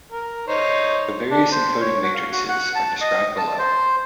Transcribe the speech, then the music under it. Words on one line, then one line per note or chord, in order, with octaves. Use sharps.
The various encoding matrixes are described below.
A#4
D#4 C5 C#5
D4
C5
C#5
F#4
F5
F#4
F#5
A5
D#5
A5
C5